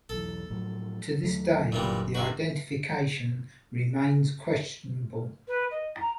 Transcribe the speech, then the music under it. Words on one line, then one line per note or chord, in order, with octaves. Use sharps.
To this day, the identification remains questionable.
B1 E2 A4
A2 F3 F#3
D#2 F#3 A3
F#1 A#2 D3 E3 F#3 G3
C3 F#4
B4
D#5
A#5